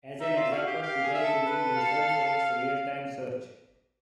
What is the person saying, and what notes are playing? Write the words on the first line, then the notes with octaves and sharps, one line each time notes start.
As an example, Twitter is using Lucene for its real time search.
D#4 E5
F4
F#4 F5
G4
G4 F5
G#4
E5
A4
B4
F5